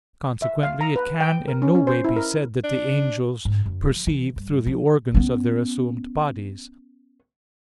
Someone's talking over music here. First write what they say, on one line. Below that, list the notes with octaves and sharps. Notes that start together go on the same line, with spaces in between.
Consequently it can in no way be said that the angels perceive through the organs of their assumed bodies.
E5
F5
A#5
B4
G5
A#4
C#4
C#4
C5
E4
A#4
D4
G#2
F#2
F3
E3
G2
F3
B3 C#4